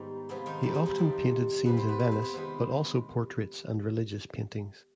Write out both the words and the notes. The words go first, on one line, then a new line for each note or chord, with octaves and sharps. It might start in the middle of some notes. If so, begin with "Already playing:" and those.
He often painted scenes in Venice, but also portraits and religious paintings.
Already playing: G#2 D#3 G3 B3 D#4
C3 F3 G#3 B3
D#3 D#4
G3 G4
G#3 G#4
G3 G4
F2 C3 D#3
F2 C3 G3 B3 B4
C4 C5
B3 B4
B3 B4
C4 C5
B3 B4
C3 D#3 G#3 B3 B4